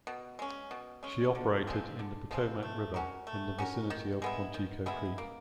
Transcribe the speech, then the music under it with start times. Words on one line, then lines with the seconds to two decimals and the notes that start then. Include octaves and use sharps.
She operated in the Potomac River in the vicinity of Quantico Creek.
0.07 B2
0.39 G#3 C#4
0.71 B2
1.03 G#3 C#4
1.35 D3
1.67 F3 G#3 C4
1.99 D3
2.31 F3 G#3 C4
2.63 A3
2.94 C#4 F#4 A#4
3.27 A3
3.58 C#4 F#4 A#4
3.90 D#3
4.22 G#3 B3 E4
4.54 D#3
4.86 G#3 B3 E4
5.18 A#3